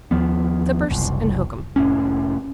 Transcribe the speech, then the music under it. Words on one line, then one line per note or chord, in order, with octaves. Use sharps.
Clippurse and Hookem.
D#2 F3 B3
F#1 C2
F1 A2 C#4